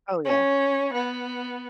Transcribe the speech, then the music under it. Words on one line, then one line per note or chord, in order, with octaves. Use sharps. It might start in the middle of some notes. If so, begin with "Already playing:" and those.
Oh, yeah.
C#4
B3